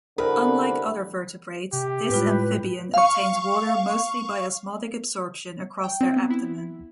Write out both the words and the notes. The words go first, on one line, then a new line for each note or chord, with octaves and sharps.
Unlike other vertebrates, this amphibian obtains water mostly by osmotic absorption across their abdomen.
C2 D3 A#4 B4
C3 G4
A2 G3 G#3 F4 B4
F5 C#6
G5
C4
B3
E4